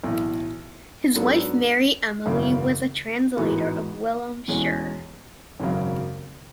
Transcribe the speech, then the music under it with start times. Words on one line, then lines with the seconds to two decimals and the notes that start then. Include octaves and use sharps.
His wife Mary Emily was a translator of Wilhelm Scherer.
0.04 B1 A2 E3
1.15 G#2 F#3 B3 D4 A4
2.25 G#1 F#2 C#3 E3
3.37 A1 G#2 E3 B3 F#4
4.48 E2 B2 G#3 C#4 G#4
5.60 G#1 F#2 C#3 F#3